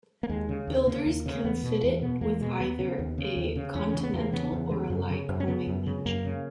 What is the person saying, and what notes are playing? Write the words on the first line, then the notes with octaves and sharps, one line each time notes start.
Builders can fit it with either a Continental or a Lycoming engine.
A#3
D#2 G#3
C#3
D#2
C#3 A#3
D#2
C#3
A#3
E2 B3
B2
E2
B2 B3
E2 A#3
B2 G#3
D#2 B3
C#3
D#2
C#3
D#2
C#3
E2 C#4
C#3 C#4
B3
E2
A#3
C#3 B3
E2
C#3
F#2
C#3
F#2
C#4
C#3 B3
F#2
C#3
F#2 A#3
C#3